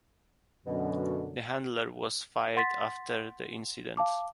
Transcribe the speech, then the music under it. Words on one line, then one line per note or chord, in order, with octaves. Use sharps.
The handler was fired after the incident.
F#2 B2 D3
F#5 C6 A6 B6
F5 A5 D6